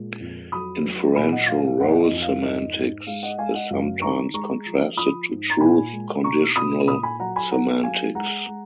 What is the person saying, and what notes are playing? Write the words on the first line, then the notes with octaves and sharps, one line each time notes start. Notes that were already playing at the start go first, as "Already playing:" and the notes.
Inferential role semantics is sometimes contrasted to truth-conditional semantics.
Already playing: A#2 G#3
F2
F#3 B5 D#6
F#3
A#2 G#5 B5
D#5 F#5
F#3 F5
F5
F2 D#5 F#5
D#5
F2
F5
G#2 D#5
G#2
G#3 F5
D#5 F#5
G#3 F5 G#5
D#5 F#5
F#2 F5
D#3 A#5 C#6
G#3 A#5 C#6
F3
F3 B5 D#6
G#2
A#5
A#2 G#5 B5
G#3
B2 A#5 C#6
B2 B5 D#6
A#2 B5 D#6
G#5 B5
F#3 F#5 A#5
G#5 B5
F#3 F#5 A#5
F#3 F5 G#5
G#3 F#5 A#5
G#3